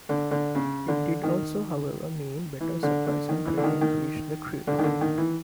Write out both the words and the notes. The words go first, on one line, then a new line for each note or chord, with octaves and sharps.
It did also, however, mean better supplies and training reached the crew.
D3
D3
C#3
D3
D#3
E3
D3
D3
D#3
E3
D3
D#3
D#3
D3
D#3
D3
D#3
E3